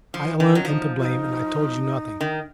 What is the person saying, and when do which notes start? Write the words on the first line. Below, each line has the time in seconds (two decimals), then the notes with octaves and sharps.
I alone am to blame, and I told you nothing.
0.14 F3
0.40 D#3
0.55 F#3 C#4
0.65 F3 D#4
0.99 F4
1.04 D#4
2.21 D#3